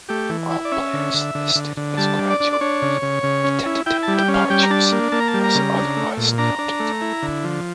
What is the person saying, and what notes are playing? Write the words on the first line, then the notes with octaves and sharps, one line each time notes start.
All players listed as "graduated" are tentative departures unless otherwise noted.
A3 G4
E3
E4
D5
C#4 E5
D3
D3
D3
D3
D3
G3 A5
D4
D5
D4
D5
D4 C#5
C#3
C#3
C#3
C#4
E4
E4 G5
A5
G3
G5
C#4
F5
G3 G5
A#5
D4 A5
A#3
A#3 A5
A#5
A5
G3
A#5
C#3
D4
A3
A#2
D4 A#5
D4
A3
E4
D3
F3